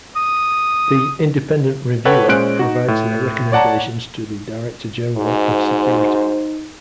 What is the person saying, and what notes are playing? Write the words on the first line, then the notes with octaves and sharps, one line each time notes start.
The Independent Reviewer provides their recommendations to the Director-General of Security.
D#6
A4 B4 C#5 F#5 G5
A#2 G#3 C#4 C5 F#6 D7
D#4 F#4
A2
C#5 D5 F#5 A5 A#5
G#2 D#4 F#4 C5